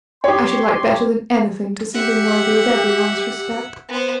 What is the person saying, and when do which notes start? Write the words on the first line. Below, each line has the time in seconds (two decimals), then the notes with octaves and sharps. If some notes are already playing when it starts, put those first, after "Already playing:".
I should like better than anything to see him worthy of every one's respect.
0.24 G4 C#5 C6
1.94 G4 E5 F#5
3.89 B3 C5